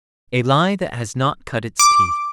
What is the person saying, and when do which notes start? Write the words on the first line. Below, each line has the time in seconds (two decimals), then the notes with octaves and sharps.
A lie that has not cut its teeth.
1.79 D6